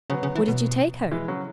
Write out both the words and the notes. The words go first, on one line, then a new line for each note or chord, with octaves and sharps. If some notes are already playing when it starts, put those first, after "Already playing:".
'What did you take her?'
C#3 F#3 B3
C#3
E3
B2
E3 G#3
C#3 F#3